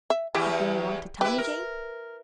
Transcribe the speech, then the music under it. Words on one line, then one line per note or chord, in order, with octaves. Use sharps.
Something you wanted to tell me, Jane?'
E5
E2 E3 E4 G4
E4 G4 B4
A#4